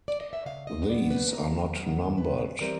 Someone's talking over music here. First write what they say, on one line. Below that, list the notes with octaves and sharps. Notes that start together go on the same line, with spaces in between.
These are not numbered.
D5
D#5
E5
C#3 F5
D#5
F#3 B3 D5
B4
C#3 A#4
F#3 B3
C3 B4
E3 G3 C4 A#4